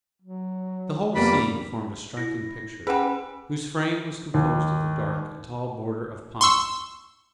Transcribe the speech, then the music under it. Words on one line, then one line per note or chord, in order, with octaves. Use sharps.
The whole scene formed a striking picture, whose frame was composed of the dark and tall border of pines.
F#3
F1 G3 A#3 B3 B5
E4 A#6
G3 C#4 G#4 B4 F#5 G#5
D#2
C6 C#6 E6